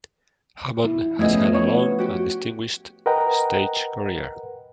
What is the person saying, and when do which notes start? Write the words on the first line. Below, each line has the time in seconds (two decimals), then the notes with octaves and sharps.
Hammond has had a long and distinguished stage career.
0.85 E4
1.19 F3 A3 B3 C#4 E4 G#4 D#5
1.54 C#5
1.99 F#4 G4
3.06 A#4 B4 D#5 F#5 G5 A#5